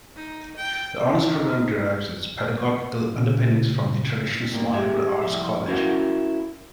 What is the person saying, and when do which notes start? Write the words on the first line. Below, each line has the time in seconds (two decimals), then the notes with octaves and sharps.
The honors program derives its pedagogical underpinnings from the traditional small liberal arts college.
0.16 D#4
0.57 G5
1.23 D#4
3.14 A#2 C#3
4.51 G2 A#3
4.74 G4 G#4 E5
5.22 C2 F2 E5
5.67 C#4 E4 F#4 A#4 C5 F5